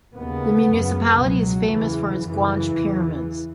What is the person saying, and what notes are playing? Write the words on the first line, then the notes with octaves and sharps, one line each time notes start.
The municipality is famous for its Guanche pyramids.
D#2 C#3 B3
F#2
C#3
C#2 B2 F#3
E2 C#3 E3
F#2 C#3 E3
E2 C#3